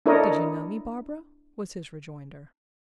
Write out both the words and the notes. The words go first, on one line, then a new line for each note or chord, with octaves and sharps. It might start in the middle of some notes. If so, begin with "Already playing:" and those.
"Did you know me, Barbara?" was his rejoinder.
D4 E4 A4 A#4 C#5 D#5